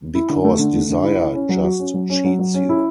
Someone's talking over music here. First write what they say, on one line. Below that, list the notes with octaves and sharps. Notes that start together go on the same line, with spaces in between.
Because desire just cheats you.
E4
D3
A3
D3
A3
D3
E4
E4
C#4
F#3
F#4
C#4
F#3
C#4
F#3
F#3
C#4
E4